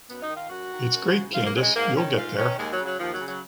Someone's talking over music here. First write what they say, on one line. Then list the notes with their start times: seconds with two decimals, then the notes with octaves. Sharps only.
It’s great, Candice you’ll get there!
0.09 F#2 B3
0.22 D#4
0.29 D#3
0.36 F4
0.49 F#2 F#4
0.71 D#3
0.92 F#2
1.12 C#3
1.33 F#2 F4
1.46 A#3
1.54 C#3 F#3
1.61 G#3
1.75 G#2 A#3
1.95 D#3 C#4
2.16 G#2 F4
2.37 D#3 C#4
2.57 D#2 G#3
2.72 F#3
2.78 C#3
2.85 F#3
2.99 D#2 F3
3.13 F#3
3.19 C#3
3.27 F#3